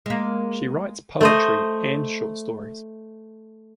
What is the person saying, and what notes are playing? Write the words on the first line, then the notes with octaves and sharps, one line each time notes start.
She writes poetry and short stories.
G#3 A#3
A3 C5 D#5